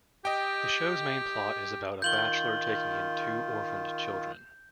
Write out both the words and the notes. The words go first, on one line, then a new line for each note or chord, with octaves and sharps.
The show's main plot is about a bachelor taking in two orphaned children.
G4 D#5 G5
D#3 F4 G6 F#7 G7